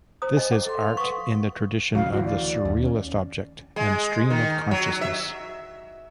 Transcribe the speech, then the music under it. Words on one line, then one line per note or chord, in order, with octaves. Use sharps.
This is art in the tradition of the Surrealist object and stream of consciousness.
C5 A#5 D#6
C5 D#5 G#5
F#5 D6
A4 C6
F5
B4 F#5 C#6 D#6
D2 C#3 F#3 F5
D2 E3 F#4
D5
D#2
C#4
G#3
D#3
F#3
E5